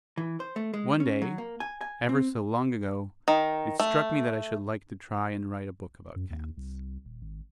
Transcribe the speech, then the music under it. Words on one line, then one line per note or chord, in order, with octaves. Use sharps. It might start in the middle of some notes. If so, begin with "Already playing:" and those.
One day, ever so long ago, it struck me that I should like to try and write a book about Cats.
E3
C5
A3
G#3
C#4
F#3
A#3
G#5
G#5
C4
D#3
A3
F#2
D#2
C2
D#1
G#1